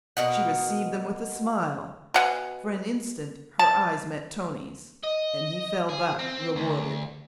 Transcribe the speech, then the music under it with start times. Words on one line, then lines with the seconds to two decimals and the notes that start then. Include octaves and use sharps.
She received them with a smile; for an instant her eyes met Tony's, and he fell back, rewarded.
0.17 B2 A#4 D#5 F#5
2.14 B2 F#5 G#5
3.59 A5
5.03 D#5
5.89 G#4
6.19 C4
6.56 D2